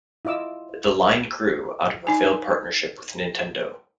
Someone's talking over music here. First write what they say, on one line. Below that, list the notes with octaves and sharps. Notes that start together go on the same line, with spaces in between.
The line grew out of a failed partnership with Nintendo.
E4 F4 D#5 D6 E6
D#4 G#5